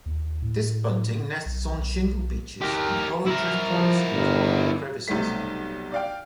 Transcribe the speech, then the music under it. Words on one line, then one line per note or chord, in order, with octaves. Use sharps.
This bunting nests on shingle beaches in hollow drift logs and rock crevices.
D#2
A2
B1
B1
G4 A#4
E4 A#4
F3
G1
B1 C3 G3 A3 B6
D5 F5 G5